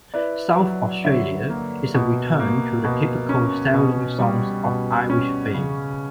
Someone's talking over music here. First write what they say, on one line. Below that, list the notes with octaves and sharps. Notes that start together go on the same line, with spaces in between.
"South Australia" is a return to the typical sailing songs of Irish fame.
E4 B4 D5
F#3
D3 C#5 E5
A#3
B2
A#3
B2
C#4
B2
G3
B2
C#4
C#3